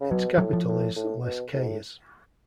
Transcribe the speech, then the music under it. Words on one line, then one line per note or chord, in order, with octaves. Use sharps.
Its capital is Les Cayes.
C#3
B2 F#3
A2 F#3
F3
A2
A2
B2
A2
G#2
A2